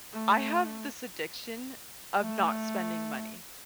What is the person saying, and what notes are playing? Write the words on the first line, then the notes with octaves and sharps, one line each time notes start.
I have this addiction of not spending money.
A3
A3